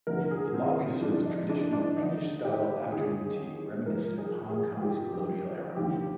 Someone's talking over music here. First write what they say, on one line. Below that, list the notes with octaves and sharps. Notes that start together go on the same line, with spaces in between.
The Lobby serves traditional English-style Afternoon Tea, reminiscent of Hong Kong's colonial era.
F1 F2 D3 A#4
G#4
C4
C4
F1 F2 D3 D4
D#4
D4
D4
D#2 D3 D#4
G4
D#2 D3 G#4
F1 F2 D#3 A#4
G#4
G#4
F1 F2 D#3 G4
G4
F1 D#2 D3 G4